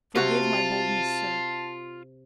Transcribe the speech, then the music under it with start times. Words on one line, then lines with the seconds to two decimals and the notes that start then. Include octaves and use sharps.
Forgive my boldness, sir.
0.16 C3 F4 F#4 A5